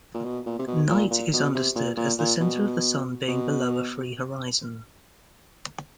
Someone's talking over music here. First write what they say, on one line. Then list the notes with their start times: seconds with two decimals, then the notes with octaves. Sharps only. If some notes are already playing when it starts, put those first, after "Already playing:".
"Night" is understood as the center of the Sun being below a free horizon.
0.14 A#2
0.24 B2
0.46 A#2
0.59 C3
0.68 B2
0.89 A#2
1.11 A#2
1.33 B2
1.55 C3
1.76 A#2
1.97 A#2
2.19 A#2
2.40 B2
3.28 B2